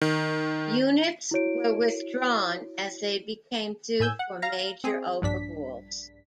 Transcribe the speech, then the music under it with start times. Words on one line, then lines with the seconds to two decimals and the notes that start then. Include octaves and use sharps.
Units were withdrawn as they became due for major overhauls.
0.02 D#3
1.31 E4 F#4 C#5 D7
4.00 A2 G#5 E6 G6 G#6
4.19 F#5
4.42 F5 A#5 A#6
4.84 C4 G#4
5.22 A#1 G2 D4 B6